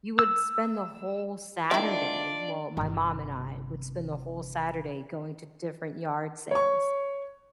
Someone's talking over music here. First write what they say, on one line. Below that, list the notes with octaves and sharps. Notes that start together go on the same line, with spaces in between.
you would spend the whole Saturday, well, my mom and I would spend the whole Saturday going to different yard sales.
E6
D#3 C4 D4 E4 F4 D5 E5
G1 C3
C#5 C#6